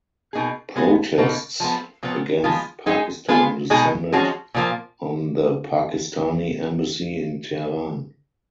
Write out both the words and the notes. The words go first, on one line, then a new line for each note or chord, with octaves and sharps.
Protests against Pakistan descended on the Pakistani Embassy in Tehran.
B2 A#3 D#4 G#4
G#3 B3 F#4
B2 A#3 D#4 F#4
F3 G#3 B3
A#2 F3 B3
F3 G#3 B3 F4
G#3 D#4 G#4
G#3 B3 F4 G#4
B2 G#3 D#4 G#4
F3 G#3 C#4 F#4
A#2 F3 A#3